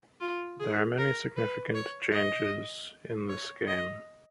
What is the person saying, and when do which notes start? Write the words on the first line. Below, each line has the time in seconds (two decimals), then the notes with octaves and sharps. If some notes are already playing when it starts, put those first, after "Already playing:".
There are many significant changes in this game.
0.20 F4
0.60 G#4
0.98 A#4
1.37 B4
1.75 C#5
2.13 D#5
3.29 C#5
3.68 D#5